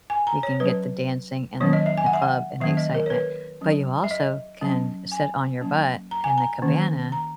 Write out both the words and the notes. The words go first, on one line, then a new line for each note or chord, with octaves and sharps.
You can get the dancing, and the club, and the excitement. But you also can sit on your butt in the cabana,
G#5
A#5
C#5
F#3 C#4 B4
D#3 F#3 A#3 C#4 C#5
D#5
E5
G#5
F#5
E5
F#5
D#3 F#3 A#3 C#4 E5
D#5
A#4
C#5
B4
F#3 C#4
E5
D#5
F#3 C#4
G#5
F#3 A#3 C#4
A#5
G#5
A#5
D#3 A#3 C#4
A#5